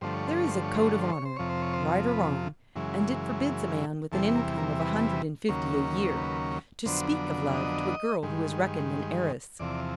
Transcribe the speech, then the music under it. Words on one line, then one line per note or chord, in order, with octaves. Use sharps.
There is a code of honour, right or wrong, and it forbids a man with an income of a hundred and fifty a year to speak of love to a girl who is reckoned an heiress.
G2 D3 F3 A3 C5
C#5
C5
C#5
C5
C#5
C5
C#5
C5
C#5
C5
F2 C3 F3 C#5
C5
C#5
C5
B4
F#2 C#3 E3 G#3
E2 C3 E3 G3 A4
A#4
A#4
B4
D#2 C#3 F#3 A#3 C#4
B4
F2 D3 F#3 B3 D4 C5
D#5
G2 D#3 G#3
E2 C3 F3 D5